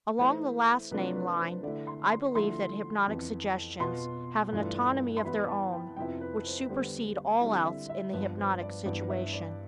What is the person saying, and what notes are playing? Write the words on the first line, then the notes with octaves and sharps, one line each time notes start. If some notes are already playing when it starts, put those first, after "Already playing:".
Along the last-named line, I believe that hypnotic suggestions have an autonomy of their own which supersede all else in the hypnotic situation.
E3 A3 E4 C5
C3 F3 A3 D4 F4 B4
B4
C5
D3 A3 E4 D5
C6
C6
D3 F3 A3 E4 C6
F2 E3 B3
B2 B3 F4 C6
G2 E3 A3 D4 F4
C6
E3 B3 E4 B5
A5
G5
F2 C3 F3 B3 E4 G5
B4
C5
D3 G3 B3 C5
D3 G3 C4 E4
E5
E5
G2 F3 B3 B4
C5
D5
G2 E3 B3 D5
E5
D5